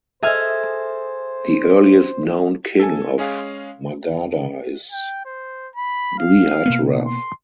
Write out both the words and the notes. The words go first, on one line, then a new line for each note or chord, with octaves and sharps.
The earliest known king of Magadha is Brihadrath.
G#4 A4 C5 D#5 E5 G#5 F6
A4 G#5
G#3 C#4 G#4 F5
G5
C5
B5
F5
B2 A#3 B3
C6